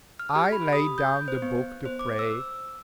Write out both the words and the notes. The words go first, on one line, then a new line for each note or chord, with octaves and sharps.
I laid down the book, to pray.
F6
G4
B5
D#6
G6
C5
B3
C5
D6
E6